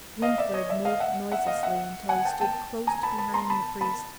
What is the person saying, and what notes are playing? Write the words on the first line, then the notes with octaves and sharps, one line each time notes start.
Winfried moved noiselessly until he stood close behind the priest.
D#5 F5
D5 E5
C#5 D#5
D5 E5
D#5 F5
E5 F#5
E5 F#5
D#5 F5
E5 F#5
F#5 G#5
G5 A5
G5 A5
G#5 A#5
A5 B5
A5 B5
A#5 C6
A5 B5
A5 B5